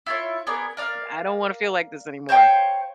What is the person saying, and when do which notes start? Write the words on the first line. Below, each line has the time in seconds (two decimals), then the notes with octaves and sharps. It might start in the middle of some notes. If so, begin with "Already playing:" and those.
I don't wanna feel like this anymore."
0.06 E4 F4 C#5
0.47 B3 G#4 A#4 D5
0.77 A#4 D5 F5
2.29 C5 C#5 F5 G5